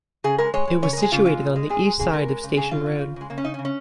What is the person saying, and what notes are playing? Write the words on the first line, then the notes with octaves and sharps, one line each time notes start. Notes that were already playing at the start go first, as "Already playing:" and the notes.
It was situated on the east side of Station Road.
C#3 G#4
G#3 A#4
G#3 C#5
G#3
C#3 C#5
A#4
G#3
G#4
C#3 F4
G#3 F4
A#2
G#3
A#2 G#4
G#3
C#3 G#4
G#3 A#4
G#3
C#3
C#3 G#4
C#3 F4
C#3
C#3
C#3 G#3
C#3 A#3
C#4
C#3 D#4
C#4
C#3
C#4